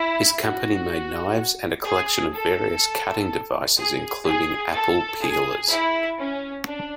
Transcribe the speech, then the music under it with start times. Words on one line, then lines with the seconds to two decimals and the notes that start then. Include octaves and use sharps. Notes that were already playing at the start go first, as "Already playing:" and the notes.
His company made knives and a collection of various cutting devices including apple peelers.
Already playing: E4
0.41 F#4
1.85 G#4
2.34 A4
3.77 G#4
4.25 G#4
4.74 A4
5.23 G#4
5.70 E4
6.18 C#4
6.66 D4